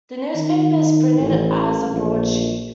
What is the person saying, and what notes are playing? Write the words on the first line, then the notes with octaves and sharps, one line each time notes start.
The newspaper is printed as a broadsheet.
D#3
A1
A#1